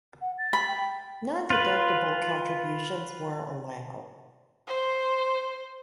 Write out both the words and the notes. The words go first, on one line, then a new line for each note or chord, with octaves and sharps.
Non-deductible contributions were allowed.
F#5
A6
B5
G5
F4 B4
C5